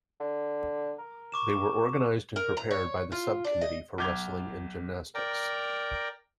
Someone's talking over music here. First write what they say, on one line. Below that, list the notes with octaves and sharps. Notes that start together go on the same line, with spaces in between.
They were organized and prepared by the Sub-Committee for Wrestling and Gymnastics.
D3
A#4
C#6 D6 E7
A#4
A#5
C#5
F4
D4
D#5
B1 D6 G6 G#6 F7
A#4 D5 G5 A#5